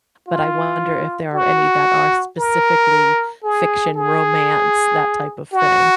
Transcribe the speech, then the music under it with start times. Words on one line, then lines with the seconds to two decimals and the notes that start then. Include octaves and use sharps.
but I wonder if there are any that are specifically fiction romance, that type of thing.
0.28 F4
1.34 F#4
2.38 A#4
3.44 G#4
3.96 G#4
5.53 F#4